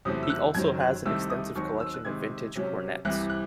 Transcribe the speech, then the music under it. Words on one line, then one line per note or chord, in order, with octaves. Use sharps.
He also has an extensive collection of vintage cornets.
E2 C3 F#3 A3 C4 D#6
E6
F#6
F#2 D#3 F#3 C4 G#6
F#6
C2 C3 D#3 A3 E6
D#6
D#2 D#3 F#3 C4 C#6
E6
F#6
C3 D#3 G#3 G#6
C3 F#3 C#4
C2 C3 E3 F#6
F#6